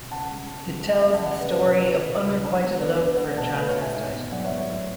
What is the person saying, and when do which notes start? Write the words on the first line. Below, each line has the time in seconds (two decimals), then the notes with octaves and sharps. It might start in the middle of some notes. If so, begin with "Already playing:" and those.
It tells the story of unrequited love for a transvestite.
Already playing: B2
0.11 C#3 F#5 A5
0.31 G#3
0.50 C#3
0.69 G#3
0.87 G#3 E5 G#5
1.00 E5 G#5
1.07 C#3
1.13 F#5 A5
1.26 C#3 D5 F#5
1.39 B4 D5
1.45 C#3
1.52 B4
1.64 B2 C#5
1.77 B4
1.84 E4
1.90 C#5
2.03 B2
2.22 C#2
2.41 D4
2.60 B3
2.79 B3 B4 D5
2.92 B4 D5
2.98 D4
3.04 B4 D5
3.17 A3 D5 F#5
3.37 B2 F#5 A5
3.55 A3 B4
3.69 C#5
3.74 B2
3.81 E5 G#5
3.95 G#2
4.13 B3
4.32 F#3 D5 F#5
4.45 C#5 E5
4.52 F#3
4.58 C#5
4.71 A2